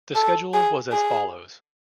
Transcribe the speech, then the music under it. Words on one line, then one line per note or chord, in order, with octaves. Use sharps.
The schedule was as follows.
A4
G#4
G#4